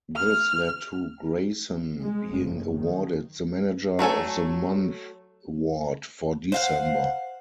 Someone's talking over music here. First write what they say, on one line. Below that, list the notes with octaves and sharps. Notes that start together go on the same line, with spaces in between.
This led to Grayson being awarded the Manager of the Month award for December.
F6
G#3
F#1
D#3
F#3 A3 A4 G#5
C5 F5 F#5